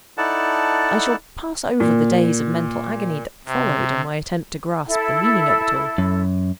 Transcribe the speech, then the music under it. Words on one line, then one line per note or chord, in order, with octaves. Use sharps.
I shall pass over the days of mental agony that followed in my attempt to grasp the meaning of it all.
D#4 E4 A4 D5 F#5 A5
A#2
C3
E4 A4
F#2